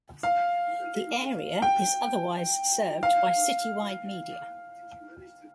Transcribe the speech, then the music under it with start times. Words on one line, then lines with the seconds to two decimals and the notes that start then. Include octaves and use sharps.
The area is otherwise served by citywide media.
0.23 F5
1.62 G5
3.03 F5